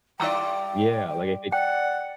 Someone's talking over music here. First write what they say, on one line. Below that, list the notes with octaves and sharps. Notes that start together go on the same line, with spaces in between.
Yeah, like, if they
G3 E4 D5 G5 A#5 E6
D5 F#5 G5